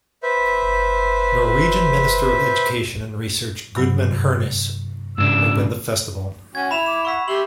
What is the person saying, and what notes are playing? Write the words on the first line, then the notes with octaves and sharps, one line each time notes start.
Norwegian Minister of Education and Research Gudmund Hernes opened the festival.
B4 C5 E5
G2 C3 F#3
G#2 C#3 D4 E6
C#4 F#4 G#5 G#6
E4 B5 E7 F7
D6 E7
F#5 C#6 E6 B6
G4 E5 C6 C#6 F#7